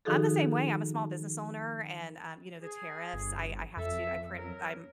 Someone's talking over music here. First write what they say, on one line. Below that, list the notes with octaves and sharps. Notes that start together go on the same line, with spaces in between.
I'm the same way. I'm a small business owner and, um, you know, the tariffs. I I have to I print I'm
D#3 F3 D#4 F#4 G#4 A4
G#4
G1
F2 A4 E5
F#3 A#4